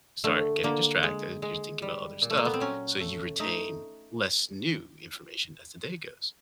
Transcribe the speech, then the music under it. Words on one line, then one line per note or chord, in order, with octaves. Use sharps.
start getting distracted, you're thinking about other stuff, so you retain less new information as the day goes.
D3 A3
D3 A#3
G#3
G#3
G3
A#2
A3
A#3
B3
C4
F#3 C#4
A3
A3 D#4